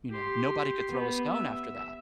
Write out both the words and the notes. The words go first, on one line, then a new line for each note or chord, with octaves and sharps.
you know? Nobody could throw a stone after that,
G4 C6
B3
E5